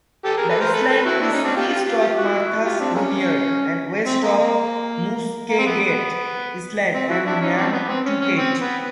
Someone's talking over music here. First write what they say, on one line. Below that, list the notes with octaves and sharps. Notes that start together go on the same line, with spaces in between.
The island is east of Martha's Vineyard and west of Muskeget Island and Nantucket.
G4 A4
G#4 A#4
A4 B4
A#4 C5
A4 B4
A4 B4
E4 F#4
D4 E4
C#4 D#4
C4 D4
F4 G4
F4 G4
F4 G4
F4 G4
E4 F#4
F4 G4
C4 D4
G#3 A#3 C#4
C4
A#3
A#3
A#3
C4
B3
B3
C4
E4 F#4
D4 E4
C#4 D#4
C4 D4
B3
C4
C#4
C#4
C4
B3